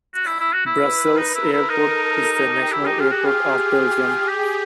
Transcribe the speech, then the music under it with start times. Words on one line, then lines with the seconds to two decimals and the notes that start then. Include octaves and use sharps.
Brussels Airport is the national airport of Belgium.
0.15 F#4
0.27 E4
0.40 E4
0.53 F#4
0.66 E4 B4
1.17 D#4 A#4
1.34 E4
1.52 E4
1.69 D#4 A4
2.21 G4
2.72 E4 G#4
2.86 D#4
2.99 F4
3.11 F#4
3.25 F4
4.28 G4